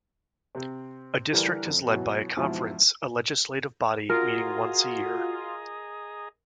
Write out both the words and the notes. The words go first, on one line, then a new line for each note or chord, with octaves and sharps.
A district is led by a conference, a legislative body meeting once a year.
C3 C4
D3 E3 G3 D4 A#4 B4
F2
B2 E3 F#3
E2 G#2 B2 F3 E4
F4 F#4 G#4 A#4 D#5 A#5